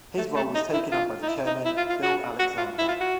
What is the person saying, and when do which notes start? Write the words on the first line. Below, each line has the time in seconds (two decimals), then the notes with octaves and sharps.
His role was taken up by the Chairman, Bill Alexander.
0.18 A3
0.36 A3
0.55 D#4
0.73 E4
0.92 F4
1.23 D#4
1.29 E4
1.47 D#4
1.65 E4
1.77 F4
1.90 F4
2.02 F#4
2.39 F#4
2.58 F4
2.78 E4
2.88 F4
3.01 F#4